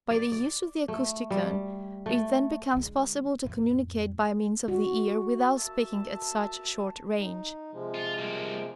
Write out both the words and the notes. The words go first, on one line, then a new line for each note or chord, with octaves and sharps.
By the use of the Acousticon, it then becomes possible to communicate by means of the ear without speaking at such short range.
D5
D5
A3
G3
A3
D3 G#3
F2 A2
F#4
A#3 F#4 E5 A5
D#4
C3 F3 G#3
F4
G3 A#3